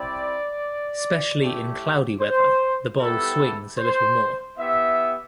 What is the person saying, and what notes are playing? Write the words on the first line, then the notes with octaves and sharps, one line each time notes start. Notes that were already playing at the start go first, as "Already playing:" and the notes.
Specially in cloudy weather the bowl swings a little more.
Already playing: G3 C4 E4 D5
A3 E4 G4
C5
G3 B3 E4 G4 A4
C5
B3 E4 G4 E5